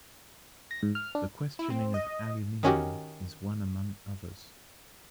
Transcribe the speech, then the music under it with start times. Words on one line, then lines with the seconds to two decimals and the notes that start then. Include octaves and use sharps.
The questioning of aluminum is one among others.
0.71 A#6
0.83 G#2
0.95 F6
1.15 D4
1.59 E4
1.70 C4
1.94 D#5
2.63 D#3 C#4 F#4 G4